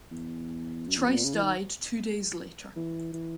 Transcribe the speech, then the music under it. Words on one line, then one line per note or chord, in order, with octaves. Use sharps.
Trice died two days later.
E2
F#2
E2
F#2
A#2
C#3
E3
D#3
E3
E3